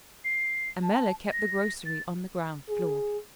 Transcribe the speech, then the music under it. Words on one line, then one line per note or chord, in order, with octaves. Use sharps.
Ammella kept the grocery on the ground floor.
C7
A5
A#6
A6
G#4